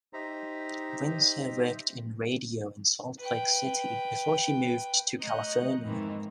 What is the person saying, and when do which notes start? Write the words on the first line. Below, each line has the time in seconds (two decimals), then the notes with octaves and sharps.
Windsor worked in radio in Salt Lake City before she moved to California.
0.13 D#4 G4 C5 E5 A#5
3.19 B4 G5
5.21 A3 C#5 D#5 A#5 F#6 G6
5.81 F2 G#2 D#3 E3 A#3 C4